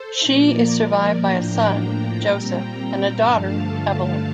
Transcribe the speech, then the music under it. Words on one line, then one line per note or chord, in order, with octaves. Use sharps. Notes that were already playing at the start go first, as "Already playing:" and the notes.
She is survived by a son, Joseph, and a daughter, Evelyn.
Already playing: A4 C5
A#2 F3 A#3 A#4 D5
A2 F3 A#3 D4 G5 A#5
A#2 G3 C4 G5 A#5
G2 D3 F3 A3 F5 A5